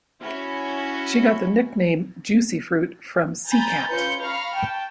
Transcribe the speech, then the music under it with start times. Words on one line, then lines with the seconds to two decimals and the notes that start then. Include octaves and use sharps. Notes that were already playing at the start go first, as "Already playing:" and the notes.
She got the nickname "Juicy Fruit" from C-Kat.
0.21 C#4 E4 F#4
3.48 G#5 A#5 B5 G6 A6
3.88 C#4 F4 B4 G6 C#7
4.22 F5 A#5 B5 C#6 F6
4.54 G5 A5